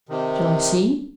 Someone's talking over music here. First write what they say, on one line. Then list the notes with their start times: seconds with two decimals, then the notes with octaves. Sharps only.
"Shall I see?"
0.09 C3 D#3